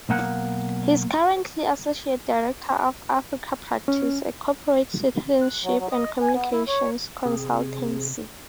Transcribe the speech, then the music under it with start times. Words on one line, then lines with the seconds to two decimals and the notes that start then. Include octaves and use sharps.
He is currently Associate Director of Africapractice, a corporate citizenship and communications consultancy.
0.09 B1 A#3 F#5
3.88 C#4
5.42 F#6
5.64 F#3
5.79 F#3
5.91 D#5
6.21 G#5
6.34 B3
6.52 E4
6.68 C#5
7.25 C3 C4 G#4